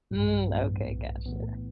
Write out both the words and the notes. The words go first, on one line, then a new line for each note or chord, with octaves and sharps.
Mm, okay, gotcha.
A2
B1 G2
A2 E3 B3
B1
A2 E3 B3